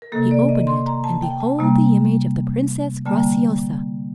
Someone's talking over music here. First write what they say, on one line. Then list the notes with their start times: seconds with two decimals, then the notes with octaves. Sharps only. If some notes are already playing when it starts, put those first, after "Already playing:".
He opened it, and behold the image of the Princess Graciosa!
0.02 A#4
0.12 C3 D#3 A#3 A4
0.31 D5
0.49 D#5
0.67 C6
0.86 A#5
1.04 A5
1.22 G5
1.40 A5
1.59 C3 G3 A#3
3.06 D3 G3 A#3 A5